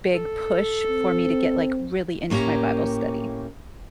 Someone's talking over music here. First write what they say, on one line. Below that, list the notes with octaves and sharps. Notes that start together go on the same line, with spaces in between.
big push for me to get, like, really into my Bible study,
A4
C4
A2 A#3 C#4 G4 A#5